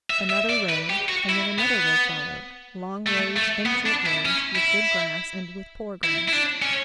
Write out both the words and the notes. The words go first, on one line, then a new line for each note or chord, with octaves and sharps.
Another row, and yet another row, followed--long rows and short rows, with good grass and with poor grass.
E5
E5
D5
B4
G4
F#4
E4
B3
A3
A3
B3
D4
E4
C#4
E4
E4
E4
D4
C#4